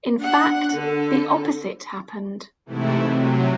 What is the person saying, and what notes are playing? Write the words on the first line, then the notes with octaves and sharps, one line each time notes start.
In fact, the opposite happened.
D4 F#5
D3 A4
G#2 C3 E3 A3 E4
C3 F#3